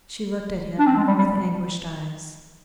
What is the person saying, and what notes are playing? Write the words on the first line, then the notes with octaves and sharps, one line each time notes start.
She looked at him with anguished eyes.
D4
C4
G#3
G3
G3